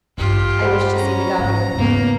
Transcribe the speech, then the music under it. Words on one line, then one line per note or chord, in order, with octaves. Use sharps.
"I wish to see the governor."
D#1 A1 G2 F4 G4
C5 F#5 B5
C#4 A#5
G#2 A#3
E2 G#2 C#3 E3 A#3 B3